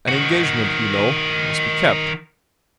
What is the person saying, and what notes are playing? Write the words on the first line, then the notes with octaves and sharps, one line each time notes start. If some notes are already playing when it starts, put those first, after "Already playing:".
An engagement, you know, must be kept.
D#3 F#4